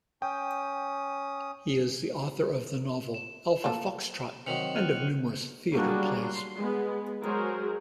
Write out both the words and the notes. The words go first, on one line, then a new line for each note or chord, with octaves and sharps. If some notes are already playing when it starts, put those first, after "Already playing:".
He is the author of the novel "Alpha Foxtrot" and of numerous theatre plays.
C#4 G5 D#6
E7
A#3 F4 A4
C3 D#3 F#3 C#7 F7 F#7
F6 F#6 D#7
F#3 G3 A#3 D4 F#4 G#4
C6
G#3 B3
F#3 G#3 F#4 G#4 A#4 C5